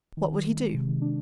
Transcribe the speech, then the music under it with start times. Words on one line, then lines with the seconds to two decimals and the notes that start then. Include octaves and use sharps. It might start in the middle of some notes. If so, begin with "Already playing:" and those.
What would he do?
0.17 D#3
0.31 D#3
0.45 G#3
0.59 G#3
0.74 C3
0.88 D#3
1.02 D4